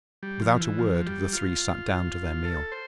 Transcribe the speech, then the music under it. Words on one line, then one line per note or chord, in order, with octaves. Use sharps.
Without a word the three sat down to their meal.
G3
F3
E3
F3
G3
F4
A4
C5